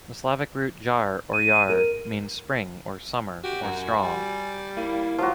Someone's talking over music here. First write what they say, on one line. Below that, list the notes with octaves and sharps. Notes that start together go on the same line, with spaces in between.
The Slavic root "jar" or "yar" means "spring" or "summer" or "strong".
D#7
A#4
F#4 G4
F#2 A#5
G#5
G3
A#3 E4
F3 F#3 F4 F#4